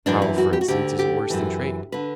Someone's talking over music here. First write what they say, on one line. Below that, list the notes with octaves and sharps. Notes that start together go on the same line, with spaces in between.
How, for instance, is it worse than trade?
F#2 E3 D4
E4
F#4
G4
F#4
D2 D3 G4
G4
F#2 E3
D3 B4